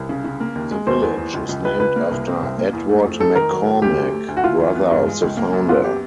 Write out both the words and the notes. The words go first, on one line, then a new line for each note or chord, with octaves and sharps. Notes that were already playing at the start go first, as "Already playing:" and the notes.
The village is named after Edward McCormack, brother of the founder.
Already playing: C2
C#3
C#3
A#3
D#2
G#3
D#2 C5
E2
E2
C#2
C#2
C#2 B4
C#2 B4
A#3
C2
C4
C2
A#3
E2
A3
F2
D#4 A4
D#3 A#4
F#3
F#3
D2 G4
D2
A3
D2
F#4
E4 F4
E3
B3
G2
G#3
C#2
A#3
F#2
B3 F4
G4